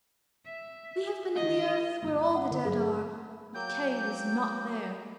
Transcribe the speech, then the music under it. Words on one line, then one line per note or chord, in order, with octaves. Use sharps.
"We have been in the earth where all the dead are, but Kay was not there."
E5
D#3 D#5
G1 G3 A#3
F#5
D3 B3 A#4 B5
G2 F#3 C4 G#4
F#3 A#3 G5 G6